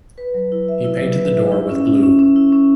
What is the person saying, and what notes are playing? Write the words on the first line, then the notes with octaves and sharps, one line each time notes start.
He painted the door with blue.
B4
F#3
E4
E5
E4
F#3
B4
E5
E4
C#4
C#4
C#4
C#4
E4
C#4